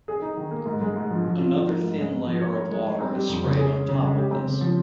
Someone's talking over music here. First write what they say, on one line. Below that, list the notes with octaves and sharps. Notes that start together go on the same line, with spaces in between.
Another thin layer of water is sprayed on top of this.
G#4
D#4
D#3
A#3
G#2
G#3
G#2
F3
F3
F4
F3
A#3
G#2
G#3
G#2
F3
C#5
A#4
G#3
D#4
C4
G3
F2
C#3
G#4
C#4
C#3
G#3
G4
C4
C#3
F3